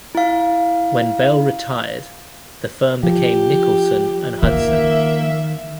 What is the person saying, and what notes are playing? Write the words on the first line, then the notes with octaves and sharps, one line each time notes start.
When Bell retired, the firm became Nicholson and Hudson.
E4 F5
F3 G4
D#3 A#3 E5